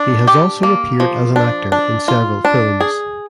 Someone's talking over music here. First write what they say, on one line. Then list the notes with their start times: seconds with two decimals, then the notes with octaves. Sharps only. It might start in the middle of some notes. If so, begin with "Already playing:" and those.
He has also appeared as an actor in several films.
Already playing: D4
0.27 G4
0.63 A#3
1.00 F3
1.36 D4
1.72 D4
2.08 F4
2.45 D4
2.80 G#4